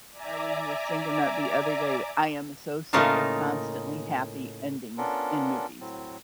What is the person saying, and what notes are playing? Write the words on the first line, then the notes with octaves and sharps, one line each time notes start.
I was just thinking that the other day, that I am so sick of constantly happy endings in movies.
D5 E5 G#5 A#5 D6
A2 C#3 A#3 D#4 F4 A5
B3 C#4 D4 F4 A4 A#4
A2 F#3 C4